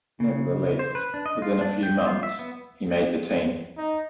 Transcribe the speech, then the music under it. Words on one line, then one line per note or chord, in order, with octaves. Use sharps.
Nevertheless, within a few months he made the team.
C#3
C5
B4
D4
D#5
F4
D4
G5
F4
E5
B3
D#4